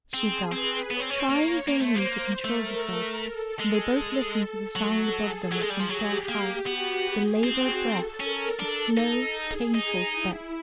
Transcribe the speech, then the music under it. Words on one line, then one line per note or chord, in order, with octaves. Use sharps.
She gasped, trying vainly to control herself, and they both listened to the sounds above them in the dark house--the labored breath, the slow, painful step.
C4 G#4
C4 B4
B3 C#5
C4
C#4
C4
A#3 C#5
A#3 C5
A3
A#3
A3 A#4
A4
G#3 A4
A4
F#3 A4
G#4
F#3
G#3
G3
F3
F#3 G4
A#3
B3 F#4
G#4
C4 F#4
A4
C#4 A#4
D4 A4
D#4
G#4
D#4
E4